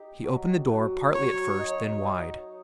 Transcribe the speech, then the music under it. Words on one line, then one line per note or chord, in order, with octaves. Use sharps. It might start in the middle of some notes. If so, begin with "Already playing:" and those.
He opened the door, partly at first, then wide.
Already playing: D#4 G4
F#3
F#3
F#3 C#5
D#4
D#4